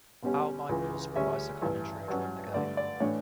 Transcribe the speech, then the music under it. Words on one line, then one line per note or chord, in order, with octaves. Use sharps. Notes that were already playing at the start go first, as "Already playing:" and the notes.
Al Michaels provides the commentary during the game.
B1 B2 G3 C#4
C#2 C#3 E3
D2 C#3 G3 C#4 E5
A1 G2 E3
G2 F#3 C#4
G2 D3 A3 D5
D5
A2 E3 A3 D4 C#5